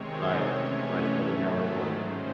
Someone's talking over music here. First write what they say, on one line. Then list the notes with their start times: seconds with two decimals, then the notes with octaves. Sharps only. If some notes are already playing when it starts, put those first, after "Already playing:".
Right, like Southern California.
Already playing: C3 D#3 G#3 C4 C#5
0.38 C3 E3 A3 C#4
1.13 G#2 D#3 F#3 A3
1.88 A2 G#3 C#4 C5